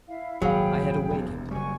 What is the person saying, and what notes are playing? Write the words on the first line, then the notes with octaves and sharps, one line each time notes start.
I had awakened.
E4 E5 F5
D#1 G#1 F#3 G#4 F5 G5 B5
E1 D#2
F#1 C#3 G3 F#4 G#5 C#6